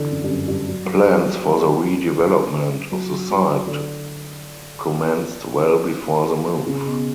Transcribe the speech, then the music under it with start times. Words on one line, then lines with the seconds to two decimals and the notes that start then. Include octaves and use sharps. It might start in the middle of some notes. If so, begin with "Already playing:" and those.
Plans for the redevelopment of the site commenced well before the move.
Already playing: D3 E3
0.11 F#2
0.24 G2
0.29 F#2
0.48 G2
0.68 F#3
0.85 F#3
1.04 G3
1.24 F#3
2.92 F#3
3.30 F#3
3.67 D3
6.67 C#3
6.86 B2